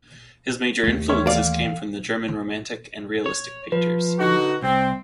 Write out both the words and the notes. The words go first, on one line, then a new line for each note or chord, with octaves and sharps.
His major influences came from the German Romantic and Realistic painters.
D#2 A3
E3 C#5
D5 F5
C#5
F3 B4
D3 D#4 F#4
C2 C4